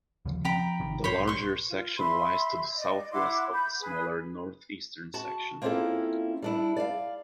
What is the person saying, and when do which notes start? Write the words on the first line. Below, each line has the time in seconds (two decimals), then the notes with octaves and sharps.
The larger section lies to the southwest of the smaller northeastern section.
0.25 D#2 C#3 F3
0.45 F3 C4 G5 A#5 B5
0.80 G#1 C3 D#3
1.04 B1 G#2 F#3 C5 C#5 B5
1.28 C6 C#6
1.68 F4
1.98 E5 B5 C6
2.74 D5 D#5
3.11 E4 F#5 C6 D6
3.53 B5 G6
3.80 G#4 B4
5.14 F#4 A5
5.62 A#3 C4 C#4 E4 F4 A4
6.42 G3 D4 E4
6.77 D5 F5